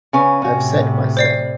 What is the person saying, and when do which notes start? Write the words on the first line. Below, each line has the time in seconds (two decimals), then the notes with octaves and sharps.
I have said my say.
0.13 C#3 C#4 B4
0.42 A2 C3 C#4 F#4
1.17 C5 D5 C7